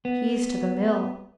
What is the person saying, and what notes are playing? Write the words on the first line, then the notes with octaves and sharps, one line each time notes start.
"He's to the mill."
B3